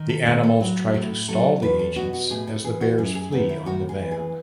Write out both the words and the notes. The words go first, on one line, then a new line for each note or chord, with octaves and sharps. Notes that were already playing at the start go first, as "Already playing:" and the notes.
The animals try to stall the agents as the Bears flee on the van.
Already playing: D#3
A4
A2 A4
A4
F#3 F#4
A2 A4
F#3 A4
E2 B4
A4
B2 F#4
F#4
A2 G#4
A4
E3 G#4
F#4
F#2 G#4
G#4
D#3 B3
E4
A2 F#4
G#4
E3
G#4